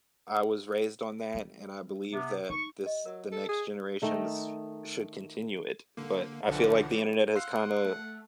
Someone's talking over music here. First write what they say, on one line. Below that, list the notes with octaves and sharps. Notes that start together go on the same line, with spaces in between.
I was raised on that, and I believe that this the next generations should continue it, but I feel, like, the internet has, kinda,
G3
C3 B3
D#4 C#6
G4 D#5
F#3 A#4
A4
G#4
D#3 A3 D#4
D3 A#3
B1 D3 E3 F3 D4 F#5
F5 F#5 C6 E6 C7
A3